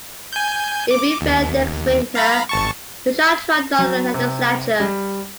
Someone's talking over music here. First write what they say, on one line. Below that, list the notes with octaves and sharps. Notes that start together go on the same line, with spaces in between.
If we fail next winter, we shall try another legislature.
G#5 G6
D6
D#2
F5 A#5 B5
G#1 A5 C#6
F#3
C3
G3